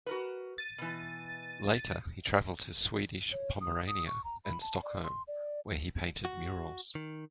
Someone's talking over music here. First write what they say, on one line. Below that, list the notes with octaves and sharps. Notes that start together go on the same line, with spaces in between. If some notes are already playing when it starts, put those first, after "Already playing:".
Later he traveled to Swedish Pomerania and Stockholm, where he painted murals.
F#4 A#4 B4
A6 D#7
B2 E3
C#5
D#6
D#6
C#6
A#5
B5
A5
D5
C6
D5
F#4
D#3